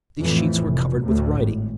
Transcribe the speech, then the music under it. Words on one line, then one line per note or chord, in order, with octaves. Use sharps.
These sheets were covered with writing.
F2 A2 E3
F1
D2 A2
G#1